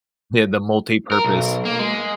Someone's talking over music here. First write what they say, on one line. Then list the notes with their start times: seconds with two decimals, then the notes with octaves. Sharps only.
Yeah, the multipurpose.
1.12 A#4
1.24 B1
1.65 A#3
1.79 G#3